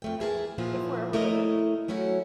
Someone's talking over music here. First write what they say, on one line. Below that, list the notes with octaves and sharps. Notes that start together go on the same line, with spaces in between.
if we're ever gonna
F2 A3 G5
E2 E4 G#4 A#4 B4 A5
A#2 F3 B3 E4 F4
A3 E4 A#4 C#5 D#5
F#3 A3 C#4 E4 F#4